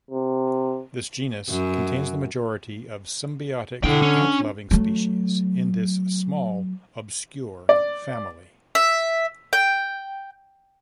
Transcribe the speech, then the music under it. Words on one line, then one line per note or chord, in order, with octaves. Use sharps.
This genus contains the majority of symbiotic 'ant-loving' species in this small, obscure family.
C3
F#2
D3 D4 E4 G5
C#4
F#3 A3
D5
E5
G5